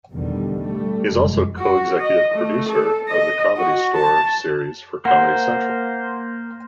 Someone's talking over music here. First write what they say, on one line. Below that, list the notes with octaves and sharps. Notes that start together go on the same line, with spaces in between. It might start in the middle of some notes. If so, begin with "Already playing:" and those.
He is also co-executive producer of The Comedy Store series for Comedy Central.
A1 E2 B2 D3 D#3 G3
G3 A3
F1 F#2 G#3
F#4
D#5
A3
A4
D#5
F#4
A5
A#3 C5 F#5